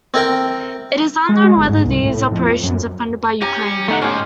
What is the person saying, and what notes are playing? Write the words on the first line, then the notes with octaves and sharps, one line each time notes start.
It is unknown whether these operations are funded by Ukraine.
C4 E4 A#4 G5
G#3
G1
G#2
C2
A2
F2
F#2
C#4 G4 A#5
D3 A3 B3 D#4 F#5
G#2 C#4 G4 C6